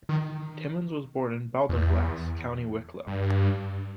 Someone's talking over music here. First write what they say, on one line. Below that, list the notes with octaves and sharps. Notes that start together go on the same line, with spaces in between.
Timmins was born in Baltinglass, County Wicklow.
D#3
E2
G2